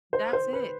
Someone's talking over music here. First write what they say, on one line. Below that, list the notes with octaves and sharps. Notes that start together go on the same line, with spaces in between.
That's it.
C5
C5
B4